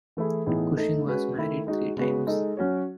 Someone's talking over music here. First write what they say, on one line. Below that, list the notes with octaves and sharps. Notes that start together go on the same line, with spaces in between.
Cushing was married three times.
E3 A3 E4 G#4
A2 E3 B3 D#4 G#4
A3 D#4 A4
G#3 C#4 F#4 B4
D#3 A3 E4
G#3 D#4 F#4
C#3 G#3 B3 F#4 B4
G#3 D#4 A4 D#5
F#3 C#4 F#4 C#5